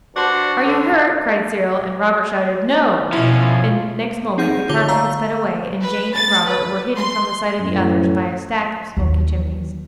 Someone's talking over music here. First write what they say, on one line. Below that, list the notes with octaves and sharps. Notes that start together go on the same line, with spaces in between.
'Are you hurt?' cried Cyril, and Robert shouted 'No,' and next moment the carpet had sped away, and Jane and Robert were hidden from the sight of the others by a stack of smoky chimneys.
G2 D4 F#4 C5 D5 F#5
D3
B2 F3 C#4 E4 F4
C4 D#4 G#4 F#5 G6
D3 F4 C#5 D6 G7
F5 A#5 C#6 E6
B4
A6
B4
C6
F#2 A2
D#2 F#3